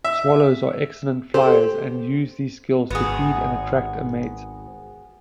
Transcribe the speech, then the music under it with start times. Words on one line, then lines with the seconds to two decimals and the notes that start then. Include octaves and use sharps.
Swallows are excellent flyers, and use these skills to feed and attract a mate.
0.04 E5
1.34 G4 A4 C5
2.91 G#1 B3 F#4 G#4